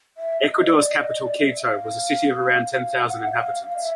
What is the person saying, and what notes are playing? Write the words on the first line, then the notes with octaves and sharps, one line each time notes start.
Ecuador's capital Quito was a city of around ten thousand inhabitants.
E5
D#5
D5
D#5
D5
E5
F5
F#5
E5
F5
F5
D#5
E5